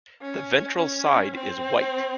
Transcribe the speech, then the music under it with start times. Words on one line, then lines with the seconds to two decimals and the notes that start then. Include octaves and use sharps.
The ventral side is white.
0.22 C#4
0.77 C#4
1.34 C4